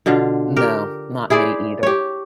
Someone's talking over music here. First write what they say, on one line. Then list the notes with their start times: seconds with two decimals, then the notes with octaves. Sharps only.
No, not me either.
0.06 B2 D3 F4
0.56 G4 A#4
1.30 E4 G#4 C5 D5
1.83 G4 C#5